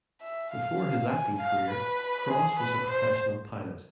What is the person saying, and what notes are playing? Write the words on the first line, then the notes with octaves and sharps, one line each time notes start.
Before his acting career, Cross was a professional pilot.
E5
F5
F5
G#5
F5
B4
G#4
B4
C5